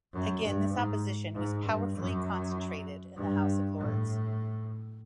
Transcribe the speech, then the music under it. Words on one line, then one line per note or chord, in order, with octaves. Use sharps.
Again this opposition was powerfully concentrated in the House of Lords.
F#2
G2
G#2
G#2
G2
F#2
G2
A2